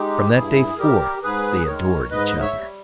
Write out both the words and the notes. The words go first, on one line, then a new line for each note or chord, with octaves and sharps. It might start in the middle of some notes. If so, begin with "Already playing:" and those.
From that day forth, they adored each other.
Already playing: G#3 D#4 G4
G2 E4 G#4
G#4
G3 G4 A#4
G#2 G#4 B4
D#3 G#3 A#4 C#5
G#2 B4 D#5
C#5 E5
G3